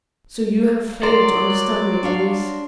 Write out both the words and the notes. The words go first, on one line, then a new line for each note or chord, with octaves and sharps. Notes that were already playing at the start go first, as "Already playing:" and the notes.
So you have failed to understand me, Maurice.
F#3 A#4 D5 C6
D4 C#5 F5